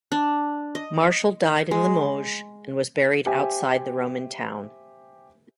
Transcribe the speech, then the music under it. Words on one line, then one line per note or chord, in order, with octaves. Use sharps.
Martial died in Limoges and was buried outside the Roman town.
D4
D#5
G#3
G4 C5 E5 G#5